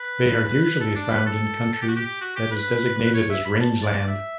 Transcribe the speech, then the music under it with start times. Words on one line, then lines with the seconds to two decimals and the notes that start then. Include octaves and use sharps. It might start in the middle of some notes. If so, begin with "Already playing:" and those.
They are usually found in country that is designated as rangeland.
Already playing: B4
0.80 A4
0.95 D4
1.11 B4
1.26 A4
1.74 A4
1.82 G4
1.88 F#4
1.96 G4
2.21 F#4
2.36 G4
2.51 B4
3.14 C#5
3.30 E5
3.45 B5
3.61 A5
3.84 D5
4.08 E5